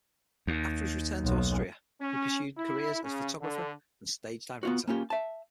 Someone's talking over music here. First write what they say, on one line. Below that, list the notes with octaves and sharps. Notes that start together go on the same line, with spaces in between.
After his return to Austria, he pursued careers as a photographer and stage director.
D#2
B1
C#4
E4
C#3
D3
B3 F4 F#4
A#3 C#4 F4 G4
E5 A5